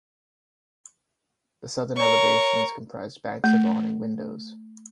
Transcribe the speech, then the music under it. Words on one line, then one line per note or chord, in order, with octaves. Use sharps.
The southern elevations comprised banks of awning windows.
A#4 C#5 C#6
A3